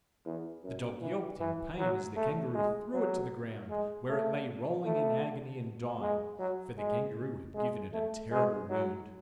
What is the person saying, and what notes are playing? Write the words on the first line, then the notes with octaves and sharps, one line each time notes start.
The dog yelped in pain as the Kangaroo threw it to the ground, where it lay rolling in agony and dying; for the Kangaroo had given it a terrible wound.
E2
F#2
E3
E3
F#3
A3
G#3
F#3
G#3
A3
A3
G#3
F#3
G#3
G#3
A3
G#3
F#3